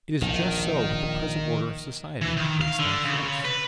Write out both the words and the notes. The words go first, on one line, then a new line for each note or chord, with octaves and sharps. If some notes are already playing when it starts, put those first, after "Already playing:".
It is just so with the present order of society, based on force.
A#1 D#3
E3
D#3
F5
D3
C#3
B4